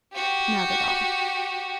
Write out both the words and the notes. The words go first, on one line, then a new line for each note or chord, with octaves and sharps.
Not at all.
F#4 G4